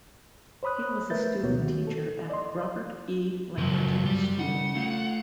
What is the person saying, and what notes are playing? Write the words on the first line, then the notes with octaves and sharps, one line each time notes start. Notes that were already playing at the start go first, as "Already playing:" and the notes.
He was a student teacher at Robert E. Lamberton School.
C5 C#5 B5 D#6 F#6
A3 A#4 B4 E5 G6 A6
D2 B2 A#3 B3 F#4 C#5
D#3 F#4
A4
D5 D#5 C6
C#2 F#2 F3 F#3
G3
C#3 F#5
A3 F4